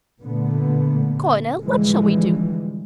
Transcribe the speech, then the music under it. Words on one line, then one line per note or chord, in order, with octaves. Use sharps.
Coronel, what shall we do?
A#2 D3 A3 B3
A2 D3 E3 F3 G3 G#3